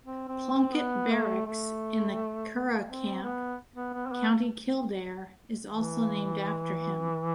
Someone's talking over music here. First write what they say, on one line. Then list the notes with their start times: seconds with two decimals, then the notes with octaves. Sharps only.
Plunkett barracks in the Curragh Camp, County Kildare is also named after him.
0.05 C4
0.28 C4
0.52 C4
0.76 B3
1.10 A3
1.46 A3
2.87 C4
3.23 B3
3.76 B3
3.93 B3
4.06 C4
4.12 B3
5.70 E3